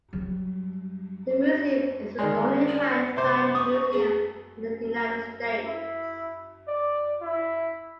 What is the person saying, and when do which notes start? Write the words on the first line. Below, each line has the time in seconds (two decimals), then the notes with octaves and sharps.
The museum is the only Hand Fan Museum in the United States.
0.13 F#3 G3
2.19 D#3 G#3 D5
2.67 D5
3.17 C3 C5 D6
3.55 C#6 D#6
3.92 G#4
5.65 E4
6.68 D5
7.22 E4